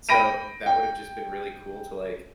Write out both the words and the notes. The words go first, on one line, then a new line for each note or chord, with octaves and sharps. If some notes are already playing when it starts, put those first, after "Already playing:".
So, that would’ve just been really cool to, like,
G5 B5 A#6 D7 D#7
G5